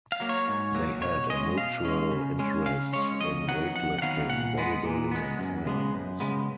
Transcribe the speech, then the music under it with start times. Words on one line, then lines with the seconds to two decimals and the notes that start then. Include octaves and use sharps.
They had a mutual interest in weightlifting, bodybuilding and firearms.
0.12 F5
0.20 F#3 A#3
0.29 C#5
0.48 G#2
0.75 F#3 A#3
1.02 B2 C#5
1.30 G#3 C#4 D#5
1.57 B2 F5
1.85 G#3 C#4
2.11 C#3
2.39 G#3 C#4
2.66 C#3 F5
2.93 G#3 C#4 C#5
3.20 F2 D#5
3.48 D#3 F#3 B3 F#5
3.75 F2 F#5
3.98 F#5
4.02 D#3 F#3 B3 F5
4.29 A#2 F#5
4.58 G#3 B3
4.85 A#2
5.11 G#3 B3
5.39 F#2
5.66 C#3 G#3 B3
5.94 F#2
6.20 C#3 G#3 B3